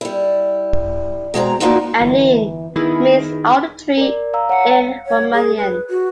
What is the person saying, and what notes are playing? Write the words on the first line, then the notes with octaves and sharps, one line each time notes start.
"Anin" means "alder tree" in Romanian.
G3 E4
B2 G#3 C4 A#5
A#3 B3 D4 D#4 F4 F#4
G1 E3
D#3 B3 E4 G#4
A#4 D5
F5 A#5 E6
C#5 F#5 A#5
C#5
G#4
B4
F#4